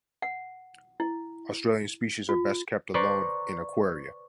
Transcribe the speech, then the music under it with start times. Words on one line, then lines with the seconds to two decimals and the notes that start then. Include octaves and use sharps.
Australian species are best kept alone in aquaria.
0.22 F#5
1.00 E4
2.29 F4
2.94 B4 C5 D5 A#5 C#6